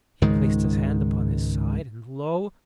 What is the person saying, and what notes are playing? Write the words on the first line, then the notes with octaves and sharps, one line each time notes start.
He placed his hand upon his side, and, lo!
C#2 G#2 D#3 G#3